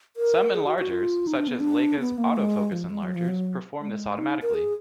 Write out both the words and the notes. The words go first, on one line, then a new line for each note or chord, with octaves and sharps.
Some enlargers, such as Leica's "Autofocus" enlargers, perform this automatically.
A#4
G#4
F#4
F#4
F4
D#4
D4
B3
D4
B3
A#3
G#3
F3
G#3
F#3
F3
F#3
G#3
D#4
A#4
G#4